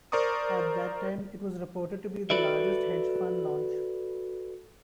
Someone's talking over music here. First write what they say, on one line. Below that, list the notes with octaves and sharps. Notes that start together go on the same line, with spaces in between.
At that time, it was reported to be the largest hedge fund launch.
A#4 C5 D5 A#5 C#6 D#6
F#4 A4 B4 D5 E5